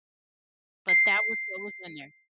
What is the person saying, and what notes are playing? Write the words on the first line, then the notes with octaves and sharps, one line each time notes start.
B ut that was what was in there.
C7